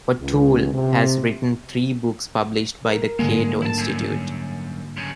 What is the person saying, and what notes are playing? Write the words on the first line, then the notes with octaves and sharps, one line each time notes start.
O'Toole has written three books published by the Cato Institute.
C#2
C3
A#4
G#2 D3 G3 G#3 A#3
E4 A5
F#2 G#5 E6
F#2 C#3 G6